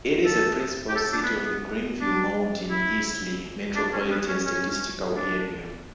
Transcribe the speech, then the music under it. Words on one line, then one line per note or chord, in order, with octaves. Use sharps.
It is a principal city of the Greenville-Mauldin-Easley Metropolitan Statistical Area.
A4
G4
A4
D4
B3
D4
E4
D4
C#4
B3
C#4
C#4
D4